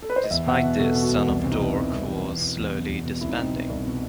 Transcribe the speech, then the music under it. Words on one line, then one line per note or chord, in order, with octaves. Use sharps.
Despite this, Son of Dork was slowly disbanding.
A4
B4
C5
D#5
E2 E5
B2 F#5
E5
B2
B2 A4
B2
F#4
E2
C2
C3 C4
D#4
E3
C3 E4
C2
E3
E2
B2
E2
B2
E2
B2
C2 E4
D#4
B2 C4
D#4
B2
C2
B2